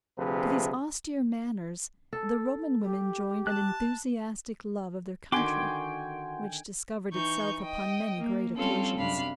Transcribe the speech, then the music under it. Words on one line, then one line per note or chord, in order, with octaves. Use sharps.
To these austere manners, the Roman women joined an enthusiastic love of their country, which discovered itself upon many great occasions.
D2 C3 F3 G#4 B4
A4
G4
A5 F#6
D3 D#3 F#4 G5 G#5 C6 D6
E3 D#4 C#6 G6
D#5 G5
A#3
G3 C4 C#4 F4 A4
F#2 C3 D4 F5 B5